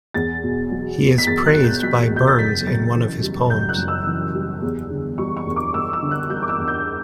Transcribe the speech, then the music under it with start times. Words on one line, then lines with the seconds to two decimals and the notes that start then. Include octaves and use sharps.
He is praised by Burns in one of his poems.
0.14 E2 A6
0.43 B2
0.71 F#3
0.99 E2
1.18 B6
1.27 E2 A6
1.46 F#6
1.54 B2
1.64 G6
1.83 F#3 B6
2.11 E2
2.16 G6
2.27 A6
2.39 F#1 B6
2.67 F#2 A6
2.95 E3
3.23 G3
3.50 F#1 G6
3.69 F#6
3.78 F#2
3.88 E6
4.07 E3
4.35 G3
4.63 E2
4.91 D3
5.18 G3 C#6
5.37 C#6
5.47 E2
5.56 D6
5.74 E2 E6
5.93 E6
6.02 D3
6.11 F#6
6.30 G3 G6
6.42 D6
6.49 E6
6.58 E2
6.68 G6